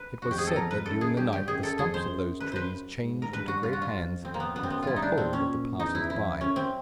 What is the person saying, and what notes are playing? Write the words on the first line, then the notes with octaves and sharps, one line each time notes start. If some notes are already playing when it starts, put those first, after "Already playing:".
It was said that during the night the stumps of those trees changed into great hands, and caught hold of the passers-by.
Already playing: B4
F2 F#4
G4
G#4
A4
A#4
B4
F#2 A4
G#4
G2 G4
G4
F#2 G#4
A4
F2 G#4
C5
F#2
B4
B4 C5
G#2
A#4
G2 B4
F#4
F4
F#4
F4
F2
F2 C4
A#3
B3
F#2 B3
C4
B3
G2 E4 F4
D#4
D4
A#2 C4
C#4
A#2
E2 D#4
E4
F2 E4
F#2 C#4
C4